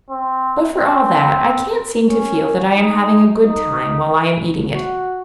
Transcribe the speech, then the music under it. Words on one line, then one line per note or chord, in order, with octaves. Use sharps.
But for all that I can't seem to feel that I am having a good time while I am eating it.
C4
C4
C#4
D#4
D#4
F#4